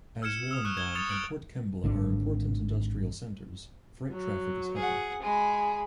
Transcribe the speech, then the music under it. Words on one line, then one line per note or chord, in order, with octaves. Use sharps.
As Wollongong and Port Kembla are important industrial centres, freight traffic is heavy.
E6 F6 G#6 C#7 E7
D#6 E6
C#6 F6 F#6
G#6 G7
C#6 D#6 A6 C#7 F7
F6 F#6 D7 F#7
G#1 D3 D4
F#3
G#4 F#5
G#3 G#4 B5